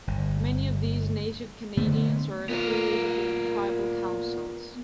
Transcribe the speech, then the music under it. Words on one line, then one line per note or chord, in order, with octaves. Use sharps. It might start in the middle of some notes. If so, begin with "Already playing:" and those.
Many of these Native Canadians are affiliated in tribal councils.
G1
D3 A3 B3
A#2 B3 A#4